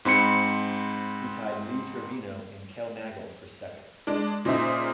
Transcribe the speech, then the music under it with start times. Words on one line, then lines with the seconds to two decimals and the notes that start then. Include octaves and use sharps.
He tied Lee Trevino and Kel Nagle for second.
0.05 G#2 C4 B5 C#7
4.07 G#3 D4
4.45 A#2 C#3 D#4 C5 E5 D#6